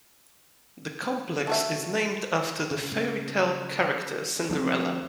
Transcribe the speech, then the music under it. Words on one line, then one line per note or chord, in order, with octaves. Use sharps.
The complex is named after the fairy tale character Cinderella.
A3 F#4 E5
C#3
D2 F3 A3 C4